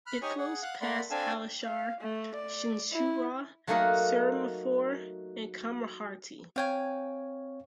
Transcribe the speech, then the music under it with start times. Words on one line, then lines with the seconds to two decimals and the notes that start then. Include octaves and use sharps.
It flows past Halisahar, Chinsurah, Serampore, and Kamarhati.
0.06 B5 F6 F#6
0.22 D#4 G4 C#5 G#5 C#6 D#6
0.38 G#4 F#5
0.62 F5 F#5 F#6
0.81 A3 A#3 D5 F#5 B5 C6
1.10 C4 D4 A4 F5 G#5 E6
1.62 F5
2.00 A3
2.34 D5
2.92 E4
3.67 F#3 A3 A#3 D#4 A#4 F#5
6.56 C4 C#5 F5 G5 G#5